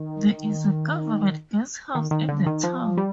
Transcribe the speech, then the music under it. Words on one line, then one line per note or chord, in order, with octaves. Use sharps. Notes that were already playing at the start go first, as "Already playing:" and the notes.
There is a government guest house in the town.
Already playing: D#3
D#3
D#3
D3
D#3
F3
G3